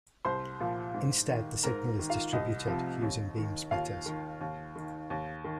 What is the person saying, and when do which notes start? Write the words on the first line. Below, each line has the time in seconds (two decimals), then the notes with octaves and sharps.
Instead, the signal is distributed using beam splitters.
0.25 C2 C5 C6
0.60 A#2 F3
0.94 G#2
1.28 D#3
1.63 G#2 A#4 A#5
1.99 D#3
2.10 F4 F5
2.33 C2 D#5
2.67 C3 F3
3.02 D#2
3.37 D#3
3.71 D#2 F4 F5
4.06 D#3
4.41 D#2
4.76 D#3
5.10 D#2
5.44 D#3